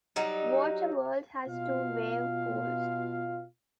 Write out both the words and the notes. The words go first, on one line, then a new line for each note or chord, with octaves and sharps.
Water World has two wave pools.
F#3 G3 D#4
B2 F4 F5